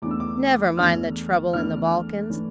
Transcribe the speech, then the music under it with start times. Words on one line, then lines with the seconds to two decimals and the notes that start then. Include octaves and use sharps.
'Never mind the trouble in the Balkans.
0.02 E2 E3 A3 D4 D6
0.11 E6
0.20 D6
0.77 E2 E3 A3 D4 F6
1.53 E2 E3 A3 D4 F6
2.30 E3 A3 D4